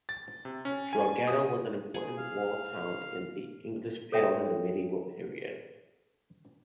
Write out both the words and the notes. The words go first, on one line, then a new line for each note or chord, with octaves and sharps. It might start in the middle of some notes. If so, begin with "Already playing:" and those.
Drogheda was an important walled town in the English Pale in the medieval period.
A6
C3
C#4
G#5
D#6
G#4
F5
A4 C#5 E5 G5